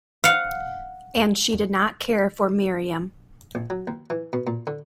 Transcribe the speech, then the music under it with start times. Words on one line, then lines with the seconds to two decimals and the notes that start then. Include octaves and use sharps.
And she did not care for Miriam.
0.24 F5 F#5
3.55 A#1
3.70 F#3
3.87 D#2
4.10 E3
4.33 B2
4.47 A#2
4.67 D3